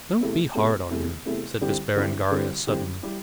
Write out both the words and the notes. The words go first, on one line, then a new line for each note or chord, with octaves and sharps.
"Don't be hard on him," said Miss Berengaria, suddenly.
E2 C3 A3 E4
E2 C3 A3 E4
E2 C3 A3 E4
E2 C3 A3 E4
D3 G3 C4 E4 G4
D3 G3 C4 E4 G4
D3 G3 C4 E4 G4
D3 G3 C4 E4 G4
G3 E4 G4